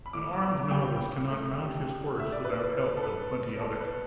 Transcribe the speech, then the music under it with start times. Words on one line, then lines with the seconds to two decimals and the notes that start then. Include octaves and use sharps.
An armed novice cannot mount his horse without help and plenty of it.
0.06 B5
0.13 A2 D6
0.33 D6
0.42 B3 B5
0.71 G3 G5
1.00 A2
1.30 A3
1.58 G4
1.87 G4
2.16 A3 E5
2.32 D5
2.44 E4 B4
2.73 A2
2.97 A4
3.03 E4 B4
3.32 B3
3.61 E4 A4
3.80 B4
3.90 B3